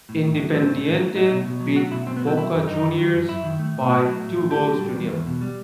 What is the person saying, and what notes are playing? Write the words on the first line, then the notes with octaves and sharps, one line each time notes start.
Independiente beat Boca Juniors by two goals to nil.
A2
A2
F#3
A3 C4
A2
A2
F#3
A3 D#4
B2
B2
F#3
A3 F#4
B2 E4
B2 C4
B3
F#3
C4
F#3 E4
F#2
F#2 D#4
D#3
F#3
F#2
F#2 E4
D#3
A3
A2
A2 F#4
F#3
A3
A2
A2 G4
F#3
G3
E2
E2
B2
G3